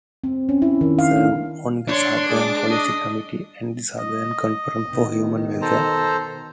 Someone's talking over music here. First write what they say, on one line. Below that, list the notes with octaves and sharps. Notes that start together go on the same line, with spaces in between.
He served on the Southern Policy Committee and the Southern Conference for Human Welfare.
C4
C#4
E4
D#3
F5
D4
D4 C#5 C6
G#3 D6
D#5
D#5
B2 D#3
A4 C5 A#5